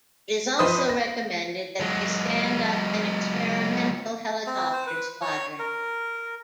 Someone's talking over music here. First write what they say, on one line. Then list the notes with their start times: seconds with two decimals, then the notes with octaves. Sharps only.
It also recommended that they stand up an experimental helicopter squadron.
0.59 G2 F3 B4 C5 D#5 D#6
0.89 A#6
1.80 F#3 G#3
4.47 C4
4.73 C5
4.86 B4
5.22 C#5
5.59 A#4